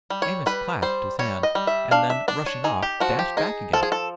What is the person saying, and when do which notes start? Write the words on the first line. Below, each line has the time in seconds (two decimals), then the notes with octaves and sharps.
Amos clasped his hand, and then, rushing off, dashed back again.
0.10 G3
0.22 C#5
0.46 G3 B4
0.82 G3 C5
1.19 G3 C#5
1.43 D#5
1.55 G3
1.67 E5
1.91 D4 F5
2.10 E5
2.28 D4 D5
2.46 C#5
2.64 D#4 G#4
2.83 G4
3.00 F3 F#4
3.19 G4
3.37 D#4 G#4
3.73 F3 A4
3.83 G#4
3.92 A4